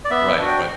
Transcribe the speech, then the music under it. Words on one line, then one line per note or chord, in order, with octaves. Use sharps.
Right, right.
D5
B3 E5
D4 F#4
G5